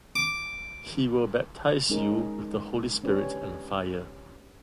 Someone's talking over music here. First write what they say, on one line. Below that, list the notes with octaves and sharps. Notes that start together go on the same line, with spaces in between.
He will baptize you with the Holy Spirit and fire.
D6
G#3 C#4 D#4 G#4 A#4
C#4 D4 G4 B4 C#5